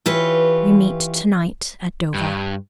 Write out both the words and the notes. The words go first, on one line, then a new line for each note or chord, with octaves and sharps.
We meet to-night at Dover!
E3 F4 G4 B4 C#5
G2